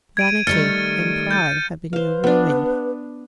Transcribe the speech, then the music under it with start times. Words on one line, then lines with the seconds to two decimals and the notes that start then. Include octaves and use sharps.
Vanity and pride have been your ruin.
0.17 G#6 D7 D#7
0.47 D#3 G3 A3 F6 A6 C#7
1.31 G6 A6 D#7
1.93 B4 C5 F5
2.24 B3 D4